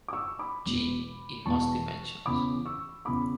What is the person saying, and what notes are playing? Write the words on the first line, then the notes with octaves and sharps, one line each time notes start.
G in most dimensions.
D6
C#6 E6
B5 D6
E1 E2 B2
E1 E2 B2 A5 C#6
E2 C#3 E3 B3 B5 D6
C#6 E6
E2 C#3 E3 B3 B5 D6